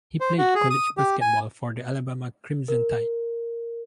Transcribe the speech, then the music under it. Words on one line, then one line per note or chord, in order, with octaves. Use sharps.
He played college basketball for the Alabama Crimson Tide.
C5
F#4
G#4
D#6
G4
G#5
A#4